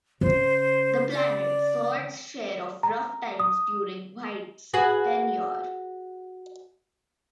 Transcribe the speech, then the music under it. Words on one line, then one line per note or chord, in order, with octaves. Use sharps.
The "Planet" saw its share of rough times during White's tenure.
C#3 C5
D5
A#5
D#6
F#4 G#4 B4